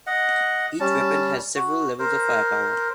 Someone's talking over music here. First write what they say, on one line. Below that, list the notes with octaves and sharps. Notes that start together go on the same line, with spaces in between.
Each weapon has several levels of firepower.
D#5 F#5
G3 C#4 A5
F#4
A#4 C5